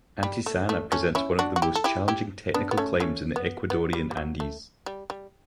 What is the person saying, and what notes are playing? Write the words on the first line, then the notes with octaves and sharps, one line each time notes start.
Antisana presents one of the most challenging technical climbs in the Ecuadorian Andes.
G3
A3
A3
A3 C#4
C#4 E4
D4 F#4
F#4
E4 G4
A4
E4 G4
E4 G4
B3 D4
B3
A3 C#4
A3 C#4
B3
B3
G3
G3
F#3
A3
G3
G3